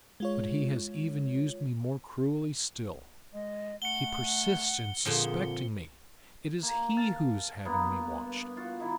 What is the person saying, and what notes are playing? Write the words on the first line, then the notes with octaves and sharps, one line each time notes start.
But he has even used me more cruelly still; he persists in suspecting me; it is he who is having me watched.
G#3 F4 C#5
G#3 D#5
A3 F#5 C#7 G7
A#2 D3 F3 C4 G#4
A#3
F5 A5
G2 A#3 B3
F4 F#4
D#3 E4